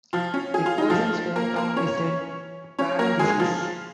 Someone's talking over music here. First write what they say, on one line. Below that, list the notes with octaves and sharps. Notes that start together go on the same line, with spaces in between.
The person's hometown is in parentheses.
F3 F4
C#4
G#4
F4
D#4
F3 F4
A#3 A#4
A#3 A#4
C#4 C#5
C#4 C#5
A#3 A#4
G#3 G#4
F3 F4